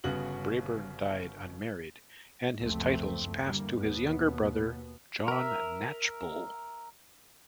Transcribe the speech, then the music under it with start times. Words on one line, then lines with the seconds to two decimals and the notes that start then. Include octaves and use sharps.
Brabourne died unmarried, and his titles passed to his younger brother, John Knatchbull.
0.04 G1 C#3 B3 F#4 F#7
2.61 F#1 D2 G2 F3 A3 C4
3.44 D3 E3 G3 A#3
3.79 D#2 B2 B3
5.28 A#4 E5